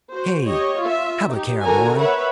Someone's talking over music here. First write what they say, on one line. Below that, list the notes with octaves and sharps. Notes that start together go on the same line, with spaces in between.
Hey! Have a care, boy.
F#4 C5
G4 C#5 D#5
F4 E5
D#4 G4
D3 F#4 A4 A#4 G#5 A#5
A#4 B4 C#5 E5 F#5 B5